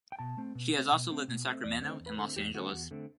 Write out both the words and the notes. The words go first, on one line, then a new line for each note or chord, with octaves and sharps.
She has also lived in Sacramento and Los Angeles.
G5
B2 A5
A3 C4
B2
A3 C4
B2
A3 C4
B2
A3 C4
E2 D5
D3 A3 C4
E2
B4
D3 A3 C4 A4
E2 G4
D3 A3 C4 F#4
E2
D3 A3 C4